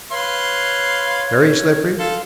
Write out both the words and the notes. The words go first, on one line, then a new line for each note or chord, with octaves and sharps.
"Very slippery?"
B4 C#5 F5 C6
A4 F5 C6